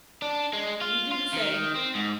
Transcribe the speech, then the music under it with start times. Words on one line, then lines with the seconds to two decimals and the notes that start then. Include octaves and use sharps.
You do the same.
0.22 D4
0.53 G#3
0.81 F4
1.12 F4
1.33 D#3
1.75 C4
1.95 G#2